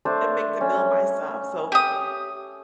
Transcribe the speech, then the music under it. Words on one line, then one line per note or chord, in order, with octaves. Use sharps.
and make the meal myself. So
A3 D4 C5
C#4
G4 D#6